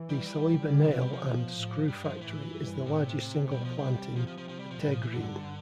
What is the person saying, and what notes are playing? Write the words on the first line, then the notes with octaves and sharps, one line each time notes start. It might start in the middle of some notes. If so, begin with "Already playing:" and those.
The Saliba Nail and Screw factory is the largest single plant in Bteghrine.
Already playing: E3
G3
G3
D3
C3 E3
G3
F3
B2
A2
G2 G3
F3
A2 E3
G2
A2 C3
B2 G3
F3
C3 G3
F3
F3
F3
F3
G3
F3
A2 G3
F3
E3
G2 D3